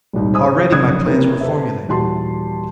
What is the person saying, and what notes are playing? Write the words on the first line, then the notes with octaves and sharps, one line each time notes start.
Already my plans were formulated.
D#1 C2 G#2
C5 G#5 D#6
F1 F#2 C#3 D#6 F#6 G#6
C3 A#3 C#4 E4 B4
A4 B4 C5 E5
D#1 E3 F#4 G4 A5 C6